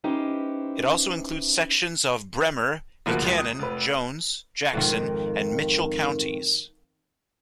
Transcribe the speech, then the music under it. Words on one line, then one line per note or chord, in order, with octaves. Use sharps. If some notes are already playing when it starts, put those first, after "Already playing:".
It also includes sections of Bremer, Buchanan, Jones, Jackson, and Mitchell counties.
C#4 D#4 E4 G4 B4 C5
F#1 D2 F3 A#3 F#4 F#6
C#2 F#2
D#6
F1 B4
F2 G#2 D#3